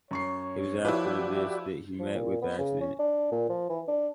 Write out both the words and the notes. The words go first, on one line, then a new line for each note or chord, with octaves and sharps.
It was after this that he met with the accident.
F#2 C#5 C#6 C7
F3 E4 F#4 G4 B4 D5
F3
A#2
B3
C#3
C#4
D4
A#2
F3
E3
D4